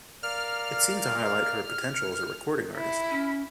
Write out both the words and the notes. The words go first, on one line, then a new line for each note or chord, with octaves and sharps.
It seemed to highlight her potential as a recording artist.
A#4 D5 F5 F6
E4
C#4